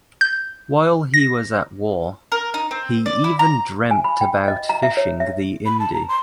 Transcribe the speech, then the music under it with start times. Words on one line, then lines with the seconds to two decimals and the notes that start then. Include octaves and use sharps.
While he was at war, he even dreamt about fishing the Indi.
0.21 G6
1.14 A#6
2.32 A#4
2.54 D#4
2.71 C4
3.06 D5
3.24 E4
3.39 A#5
3.91 G#5
4.04 B5
4.21 G5
4.48 D#5
4.69 A#5
4.83 E5
4.97 C#5
5.20 E5
5.66 B5
5.80 A5
5.93 A#5
6.09 C6